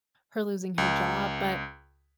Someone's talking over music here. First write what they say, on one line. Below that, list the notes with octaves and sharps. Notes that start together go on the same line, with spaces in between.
her losing her job, but,
C#2